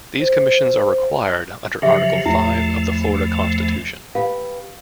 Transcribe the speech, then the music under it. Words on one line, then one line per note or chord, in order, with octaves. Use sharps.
These commissions are required under Article Five of the Florida Constitution.
C5
C#3 F3 F#3 G4 G#4 E5
E2 F3 A3 E4
G4 B4 F5